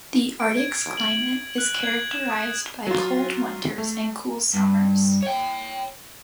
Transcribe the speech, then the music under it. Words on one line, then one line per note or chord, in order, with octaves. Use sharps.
The Arctic's climate is characterized by cold winters and cool summers.
D7
G#6
F#7
F#6
G#6
E7
D#6
F#3 F4
A3
G2
C#5 G5